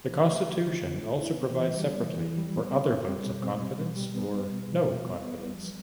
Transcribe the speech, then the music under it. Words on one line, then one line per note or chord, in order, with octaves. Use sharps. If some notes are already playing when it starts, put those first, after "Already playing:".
The Constitution also provides separately for other votes of confidence or no confidence.
F3
A3
A3
D3
D3
A3
E4
B3
E3
G3
B3
E3
E3
G3
B3
C4
C4
G3
B2
C4
G3
B2
G3
B3
G3
B2
B2
G3
B3
B3
G3
F3